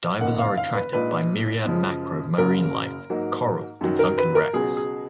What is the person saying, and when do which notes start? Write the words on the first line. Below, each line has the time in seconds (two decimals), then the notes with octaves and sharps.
Divers are attracted by myriad macro marine life, coral and sunken wrecks.
0.21 F#1 F2 D#3 A#3 D#4 F#5
0.39 F5
0.57 F5
0.75 B4
0.93 A#1 A#2 G#3 D#4 B4
1.65 F#2 C#3 F3 G#3
2.38 F#1 F#2 C#3 F#3 A#3 A#4
3.10 G#2 F#3 A#3 D#4
3.81 F#2 D#3 F#3
3.99 A#4
4.18 B4
4.35 A#4
4.53 C#2 B2 F#3 G#4
4.77 G#4